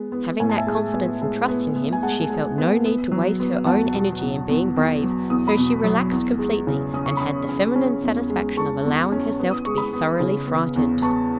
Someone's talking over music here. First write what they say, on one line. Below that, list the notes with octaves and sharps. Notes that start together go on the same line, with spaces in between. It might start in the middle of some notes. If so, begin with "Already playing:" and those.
Having that confidence and trust in him, she felt no need to waste her own energy in being brave; so she relaxed completely, and had the feminine satisfaction of allowing herself to be thoroughly frightened.
Already playing: G#3 B3
B3
A2 G#5
A5
E5 G#5
G#3
B3
G#3
B3
B3
G#5
G#3 F#5 A5
G#3
B3
B3
F#3
B3
E2 F#5 A5
B2
B2
E2
E2
F#3
E2 D#6
B5 D#6
B2
F#3
E2
G#3
C#3
C#4 D#6
C#6
C#4 B5 D#6
C#4
C#4
E2
G#3
G#3 A5 C#6
E2
C#4
B3
D#6
G#3 C#6
B5 D#6
B3
C#3
B3
E2
B3 A5 C#6